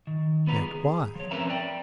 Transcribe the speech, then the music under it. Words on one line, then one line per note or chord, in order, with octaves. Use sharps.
Yet why?
D#3
F#3 B3 F4 B4 A#5
G#4
F3 C#5
C4 C#4 A#4 B4 E5 A#5
D5 G5